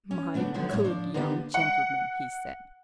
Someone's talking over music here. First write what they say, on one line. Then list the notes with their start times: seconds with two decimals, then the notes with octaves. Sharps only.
"My good young gentleman!" he said.
0.11 C#4
0.34 C#3 A3 B3 D4
0.54 D3 D#3 F3 F#3 B3
0.69 F2 A2 A#3 C#5 E5
0.84 F3 D4 D5
1.14 D3 A#3 B3 D4 F#4 G4
1.54 F#5